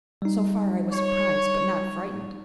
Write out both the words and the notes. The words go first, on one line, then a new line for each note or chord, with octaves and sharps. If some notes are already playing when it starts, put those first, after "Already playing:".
So far, I was surprised, but not frightened.
G3 D#4
C#5